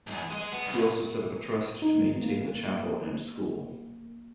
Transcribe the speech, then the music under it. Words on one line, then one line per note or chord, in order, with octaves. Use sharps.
He also set up a trust to maintain the chapel and school.
E2 G#2
G#3 D#5
B3
C2
D#4
A#3